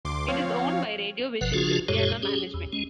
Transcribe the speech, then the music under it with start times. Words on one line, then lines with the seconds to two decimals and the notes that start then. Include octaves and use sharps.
It is owned by Radio Vision Cristiana Management.
0.05 D2 C6 D6
0.28 F3 C4 C#5 F5
1.41 G1 B2 F3 B4 F#5
1.53 C#3 F3 D4 F4 F#4 G#4
1.88 F#2 A#2 G#3 G4 A4 C#5
2.22 C#4 G4 G#4
2.54 E2
2.73 G#3 C#4